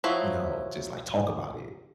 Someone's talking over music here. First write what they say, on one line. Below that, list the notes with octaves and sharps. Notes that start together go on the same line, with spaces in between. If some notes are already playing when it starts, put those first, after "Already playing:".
you know, just, like, talk about it,
F3 F#3 E4